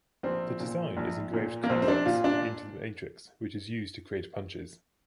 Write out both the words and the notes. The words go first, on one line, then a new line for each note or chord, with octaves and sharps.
The design is engraved convex into the matrix, which is used to create punches.
A#1 C4
A#2
A#1
A#2
A#3
A#1 C4
C4
D4
A#2 F4
D4